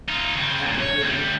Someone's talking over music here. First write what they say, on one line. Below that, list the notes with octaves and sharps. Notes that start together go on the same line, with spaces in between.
at the end of the
D#4 F4
C#3 C4
G2 A#2
C#5
D2 G3